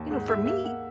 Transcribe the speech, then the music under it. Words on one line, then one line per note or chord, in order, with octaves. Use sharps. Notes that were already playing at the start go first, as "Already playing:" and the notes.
You know, for me,
Already playing: D#2
G#2 F#5
G#2 E5
A#3 E5
A#3 F#5